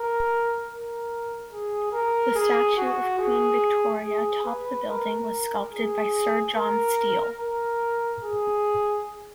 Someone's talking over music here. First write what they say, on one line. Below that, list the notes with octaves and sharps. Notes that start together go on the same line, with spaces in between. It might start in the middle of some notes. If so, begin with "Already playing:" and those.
The statue of Queen Victoria top the building was sculpted by Sir John Steell.
Already playing: A#4
A#4
G#4
A#4
G#4
F#4
G#4
G#4
B4
A#4
G#4
A#4
A#4
G#4